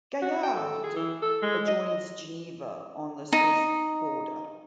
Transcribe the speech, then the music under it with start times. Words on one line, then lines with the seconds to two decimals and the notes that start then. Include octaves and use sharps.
Gaillard adjoins Geneva on the Swiss border.
0.21 F#4
0.43 G5
0.55 A4
0.83 G#4
0.96 E3
1.22 A4
1.42 G#3
1.67 D#5
3.32 D#4